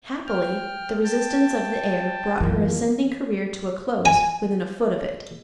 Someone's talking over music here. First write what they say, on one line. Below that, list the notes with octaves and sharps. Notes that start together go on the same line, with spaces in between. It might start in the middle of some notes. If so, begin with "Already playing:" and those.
Happily, the resistance of the air brought her ascending career to a close within a foot of it.
G5 F6
G5 A5
F#2 E3 F3 A#3
G#5